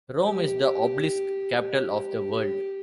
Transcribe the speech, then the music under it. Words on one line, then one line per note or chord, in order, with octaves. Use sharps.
Rome is the obelisk capital of the world.
G4
G4